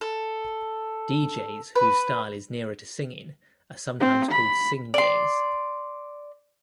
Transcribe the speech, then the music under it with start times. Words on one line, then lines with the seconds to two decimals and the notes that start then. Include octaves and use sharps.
Deejays whose style is nearer to singing are sometimes called singjays.
0.01 A4
1.75 B4
4.00 C4
4.31 B5
4.94 D5 C6